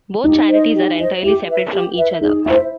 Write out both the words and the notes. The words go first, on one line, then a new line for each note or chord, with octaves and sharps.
Both charities are entirely separate from each other.
D#4 G4
C5 D#5
G4
C5 D#5
E4 G4
B4 E5
G4
B4 E5
D#4 G#4
E4 C5 E5